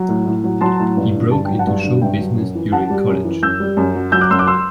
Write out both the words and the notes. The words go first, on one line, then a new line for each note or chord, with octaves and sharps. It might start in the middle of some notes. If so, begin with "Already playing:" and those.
He broke into show business during college.
Already playing: F#3
A2
A2
F#3
F#3 A5 C6
A2
G2
D3
G2 A5
F#3 G5
F#5 A5
G2
D3
G2 E5 G5
F#3
F#2
E3
F#2 F#5 A5
G3
F#2
E3
F#2 E6 G6
G3
F#2
F#3
F#3 E6 G6
D6 F#6
F#2 C6 E6
D6 F#6
C6 E6